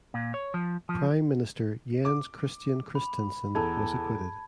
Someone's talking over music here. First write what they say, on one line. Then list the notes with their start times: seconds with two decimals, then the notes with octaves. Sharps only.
Prime Minister Jens Christian Christensen was acquitted.
0.14 A#2
0.34 C#5
0.54 F3
0.89 F3
2.05 D6
2.95 B5
3.55 E2 A4 A5 B5 G#6